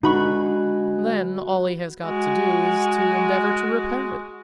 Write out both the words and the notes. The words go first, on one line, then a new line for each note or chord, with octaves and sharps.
"Then all he has got to do is to endeavor to repair it."
D3 G#3 D#4 F#4 B4 B5 C#6
G#3 F#4